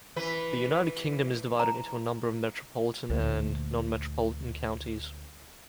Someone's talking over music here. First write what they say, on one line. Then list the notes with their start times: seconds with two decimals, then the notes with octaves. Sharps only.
The United Kingdom is divided into a number of metropolitan and non-metropolitan counties.
0.16 E3 B4
1.60 A#5
3.10 D2 A#2